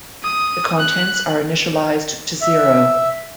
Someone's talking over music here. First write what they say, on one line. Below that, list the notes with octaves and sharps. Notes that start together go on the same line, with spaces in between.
The contents are initialized to zero.
D#6
F#6
E5